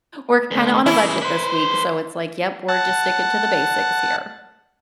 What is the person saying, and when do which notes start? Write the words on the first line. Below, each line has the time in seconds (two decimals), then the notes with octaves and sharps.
we're kinda on a budget this week, so it's like, yep, we're just sticking to the basics here.
0.51 D2
0.86 C#3 E3 E4
1.22 B4 C5
2.69 F#5 A5